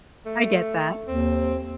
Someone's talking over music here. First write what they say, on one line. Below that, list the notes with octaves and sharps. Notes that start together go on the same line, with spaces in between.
I get that.
A3
D#2 C4